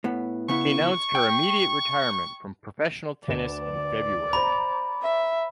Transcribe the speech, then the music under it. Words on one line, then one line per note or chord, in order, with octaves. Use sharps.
She announced her immediate retirement from professional tennis in February.
A2 B3
C#3 B3 E4 C#6
G5
D2 B4 D5 E7
C5 A#5 B5
E5